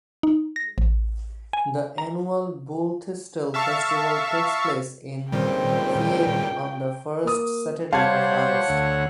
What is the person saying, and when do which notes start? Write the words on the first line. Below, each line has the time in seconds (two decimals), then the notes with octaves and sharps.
The annual Bullthistle Festival takes place in Fayette on the first Saturday of August.
0.23 D#4
0.56 A#6
0.78 A1
1.53 G#5
1.98 A#5
3.54 E5 F5 A5 C#6
5.32 C#2 A#2 D#3 G3 C4 G5
7.24 A#3 D#6
7.93 G3 C5 C#5 F5 F#5 A5 G#6
8.69 D2